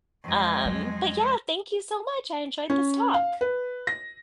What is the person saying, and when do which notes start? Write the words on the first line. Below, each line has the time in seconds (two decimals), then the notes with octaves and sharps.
Um, but yeah, thank you so much. I enjoyed this talk.
0.24 F2 G#3
0.65 F#3
2.70 C#4
3.14 F5
3.41 B4
3.87 A#6